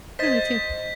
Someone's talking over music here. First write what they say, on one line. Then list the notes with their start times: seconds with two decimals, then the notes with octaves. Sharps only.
Yeah, you too.
0.19 C5 D#5 G#6 A6 B6